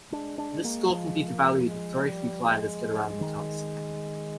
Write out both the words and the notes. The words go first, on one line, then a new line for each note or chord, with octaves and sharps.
This score can be devalued if very few gliders get around the task.
G#3 D4
D4
G#3
A#3
F3 G#3
A#3
G#3
G3
G#3
D#3